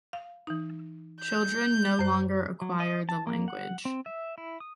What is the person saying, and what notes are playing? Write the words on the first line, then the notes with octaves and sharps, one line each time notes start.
Children no longer acquire the language.
F5
E3 D#4
G6
F#2 C5
F#3
D#5
A5
A#3
F#5
C4
E5
E4
D#6